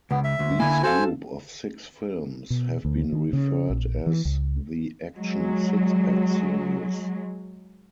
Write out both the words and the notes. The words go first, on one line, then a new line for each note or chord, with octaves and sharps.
These group of six films have been referred as the "Action Six-Pack Series".
C#2 B3
E5
D2
D3 A#3 E4 G#5
F#4 A4 C5 F5 G#5
B2
D2
D#3
C#3
A#1
E3
C#2
F#3 G#3